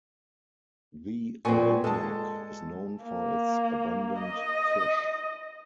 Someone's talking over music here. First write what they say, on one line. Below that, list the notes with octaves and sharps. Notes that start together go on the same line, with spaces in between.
The Olenyok is known for its abundant fish.
A#2 B3 C4 G#5 C#6
G#3 A4 A5
A#3
D#5